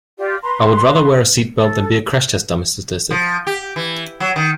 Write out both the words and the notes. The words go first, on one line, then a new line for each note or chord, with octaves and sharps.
I would rather wear a seatbelt than be a crash test dummy statistic.
F4 G4 D5
B4 A#5 C6
A4
F3
G4
E3
F#3
D#3